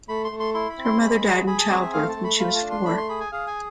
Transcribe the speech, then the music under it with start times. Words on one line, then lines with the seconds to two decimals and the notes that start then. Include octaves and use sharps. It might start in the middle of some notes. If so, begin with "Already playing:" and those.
Her mother died in childbirth when she was four.
0.09 A3 B5
0.24 C6
0.31 A3
0.40 C6
0.54 E4 C6
0.70 B5
0.78 C4
0.85 C6
1.01 G#3 B5
1.24 G#4
1.47 G#4 B5
1.59 A5
1.70 C4 D5
1.82 E5
1.93 A3 F5
2.09 A5
2.16 A3
2.24 B5
2.40 F4 B5
2.55 A5
2.62 D4
2.71 C6
2.85 A3 B5
2.97 C6
3.09 G#4 B5
3.20 G#5
3.32 G#4 F5
3.47 G#5